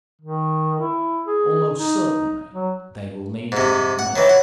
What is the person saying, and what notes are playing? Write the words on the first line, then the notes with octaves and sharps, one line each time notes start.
Almost certainly they will need to have money.
D#3
E4
G#4
D#4
F#3
G#2 C3
F#5
D#3 E3 C#5
F#5